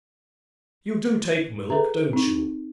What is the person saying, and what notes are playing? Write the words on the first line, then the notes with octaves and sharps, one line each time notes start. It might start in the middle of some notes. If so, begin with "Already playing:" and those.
You do take milk, don't you?
G#4 A4 B4 E5 A#5
C4 D#4